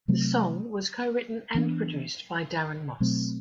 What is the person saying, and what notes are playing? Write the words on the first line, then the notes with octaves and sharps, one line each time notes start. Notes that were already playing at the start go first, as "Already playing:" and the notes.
The song was co-written and produced by Darren Moss.
C3 F#3 A3 C4
E3 B3 D4
B2 F#3 A3 C4